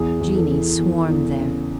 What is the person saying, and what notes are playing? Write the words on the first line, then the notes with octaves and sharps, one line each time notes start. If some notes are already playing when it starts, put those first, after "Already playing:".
Genii swarm there.
Already playing: E2 G#4
E2
A4
E3
E2
E2
C#3